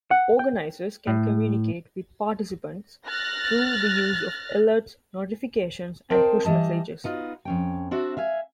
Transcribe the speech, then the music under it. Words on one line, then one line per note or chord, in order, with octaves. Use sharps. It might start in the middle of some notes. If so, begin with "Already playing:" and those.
Organisers can communicate with participants through the use of alerts, notifications, and push messages.
F#5
G5
A2
F6 F#6 A6 A#6
C4 A#4 C5 D#5 G5 A5
E3 G3 D#5 A5
B3 D#4 F4 F#4
F2 C#4 G5
C4 D4 F#4 E5
E5 F5 G#5